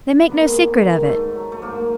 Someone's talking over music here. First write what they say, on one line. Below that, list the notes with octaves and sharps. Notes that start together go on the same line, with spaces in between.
They make no secret of it.
B3
A#3
A3
G#2 G#3
D#3
G#2 A3
F#3
A3
G#2 A#3